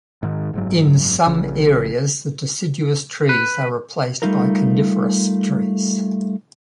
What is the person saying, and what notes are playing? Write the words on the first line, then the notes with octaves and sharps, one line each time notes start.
In some areas, the deciduous trees are replaced by coniferous trees.
G#2 D#3
F#1 G#2 F#3
A#1 C#3
B4
G3 A3 D#4 F4 A4 A#4